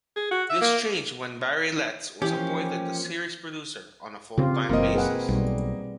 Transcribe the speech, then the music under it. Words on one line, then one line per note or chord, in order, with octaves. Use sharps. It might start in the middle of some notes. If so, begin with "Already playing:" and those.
This changed when Barry Letts was appointed the series' producer on a full-time basis.
G#4
F#4
E5
A#3
E3 F3 A#3 C#4 E4 G4
C#3 C4 F4 G4
F#1 B2 E3 A#3 C4 D#5
G#4 B4 F#5
B1 G3